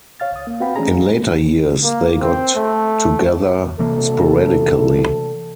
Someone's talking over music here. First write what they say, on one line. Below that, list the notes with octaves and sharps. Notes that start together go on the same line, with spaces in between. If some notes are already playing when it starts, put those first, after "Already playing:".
In later years they got together sporadically.
C#5 F5 F6 A6
C#2 D#6
A#3
C4 F#4 B4 F5 G5 B5
E3 A3 C#4 D4 G#4 A#5
A#3
C4
A3
D2 C3 E3 A#3 A4